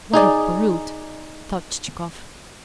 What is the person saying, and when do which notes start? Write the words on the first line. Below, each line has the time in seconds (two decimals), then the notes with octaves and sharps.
"What a brute!" thought Chichikov.
0.14 D#4 G#4 D5